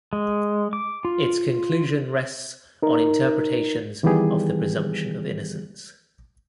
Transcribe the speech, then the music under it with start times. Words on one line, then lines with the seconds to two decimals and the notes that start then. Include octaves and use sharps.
Its conclusion rests on interpretations of the presumption of innocence.
0.13 G#3
0.73 D6
1.05 F4
2.83 D#4 A#4
4.03 D#3 E3 G3 B3 G4 G#4